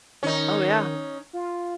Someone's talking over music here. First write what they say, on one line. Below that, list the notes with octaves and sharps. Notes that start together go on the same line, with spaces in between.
Oh, yeah.
D#3 C#4 D#4
F4